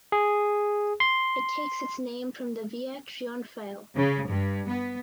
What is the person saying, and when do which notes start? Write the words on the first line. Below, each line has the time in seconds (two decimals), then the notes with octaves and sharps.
It takes its name from the Via Trionfale.
0.12 G#4
1.00 C6
3.95 C#3
4.27 G2
4.67 B3